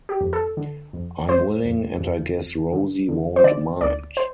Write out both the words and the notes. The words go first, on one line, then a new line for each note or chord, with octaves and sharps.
I'm willing, and I guess Rosie won't mind.
G4
F2
A4
D3
F2
F2 C5
F2
F2
F2
D3
D3
C5
D3 D5
D2 D5
C5